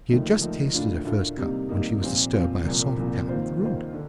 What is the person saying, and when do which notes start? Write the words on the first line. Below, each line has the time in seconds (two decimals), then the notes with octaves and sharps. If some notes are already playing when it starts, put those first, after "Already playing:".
She had just tasted her first cup, when she was disturbed by a soft tap at the room-door.
0.09 D#2 D3 F3 A3 D#4
0.41 D#2 D3 F3 A3 D#4
0.74 A2 A3 D4 F4
1.05 A2 A3 D4 F4
1.37 C3 G3 A#3 D#4
1.69 C3 G3 A#3 D#4
2.01 A#2 F3 C4 F4
2.33 A#2 F3 C4 F4
2.65 C2 A#2 F3
2.97 C2 A#2 F3
3.29 D#2 D#3 A#3 F4 C5
3.61 D#2 D#3 A#3 F4 C5
3.93 D3